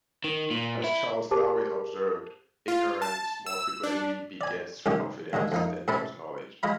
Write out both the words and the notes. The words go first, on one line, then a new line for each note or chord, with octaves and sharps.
As Charles Darwin observed, ignorance more frequently begets confidence than does knowledge.
D#3
A#2
E4
G4 G#4 A#4 C5 A5 D6
F4
A5
E6
D4
D5 G#5
C2 A2 D#3 C#4 G4
D#2 A2 D3 G#3
F2 A#3 D#4
A2 C3 C#4 A5 B5
G#3 F4 D#5 B5